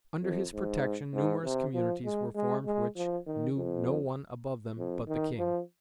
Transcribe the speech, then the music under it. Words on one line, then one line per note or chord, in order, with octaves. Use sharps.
Under his protection numerous communities were formed which knew no one above them but the king.
F2
G#2
G#2
C3
F3
G#3
G#3
G#3
F3
D#3
F2
F2
D#3
F3